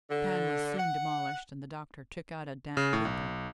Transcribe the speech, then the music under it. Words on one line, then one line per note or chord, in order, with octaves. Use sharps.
The cairn was soon demolished, and the doctor took out a damp paper.
D3
F#5
C#3
A2
B1